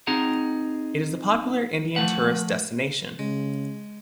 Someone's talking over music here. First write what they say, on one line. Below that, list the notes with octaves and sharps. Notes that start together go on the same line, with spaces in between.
It is a popular Indian tourist destination.
C4 D#4 G#4 F#5 A#5
F3 A3 F#5
C#3 G#3